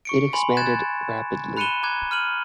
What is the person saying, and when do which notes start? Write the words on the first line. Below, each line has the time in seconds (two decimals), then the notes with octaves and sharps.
It expanded rapidly.
0.05 C#6 C#7 D7
0.33 G#5 B5 C6
0.57 F#6 G#6 A6 E7
1.57 B5 F#6 C#7 D#7 E7 G7
1.83 A#5 D6 F#6 G#6
2.11 F6 D#7 F#7